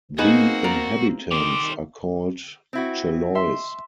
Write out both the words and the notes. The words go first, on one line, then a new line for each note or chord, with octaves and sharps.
The inhabitants are called "Chellois".
A#3 C4 D#4 F#4 G#4 B4
A#4 D5
D#3 G3 C5 D6
C4 E4 F#4
E5 C6